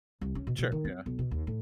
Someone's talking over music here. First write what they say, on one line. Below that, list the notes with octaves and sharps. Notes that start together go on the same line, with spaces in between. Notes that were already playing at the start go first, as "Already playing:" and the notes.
Sure, yeah.
C2
C#4
B2
B2
D#3
C4
B1
B2
D#2
A2